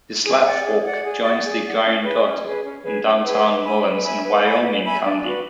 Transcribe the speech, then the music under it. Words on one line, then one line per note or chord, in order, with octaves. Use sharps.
The Slab Fork joins the Guyandotte in downtown Mullens in Wyoming County.
G#4
D5 F#5
G#4
D5 F#5
G#4
D5 F#5
G#4
D5 F#5
C#4
G#4 B4
C#4
G#4 B4
C#4
G#4 B4
C#4
G#4 B4
B4
E5 G#5 B5
B4
E5 G#5 B5
B4
E5 G#5 B5
B4
E5 G#5 B5
D4
F#4 B4